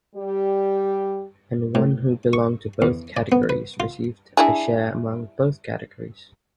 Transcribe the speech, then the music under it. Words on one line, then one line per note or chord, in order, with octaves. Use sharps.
And one who belonged to both categories received a share among both categories.
G3 G4
A2
C#6
E2
D5
B3
B4
F4
D4 E4 G#4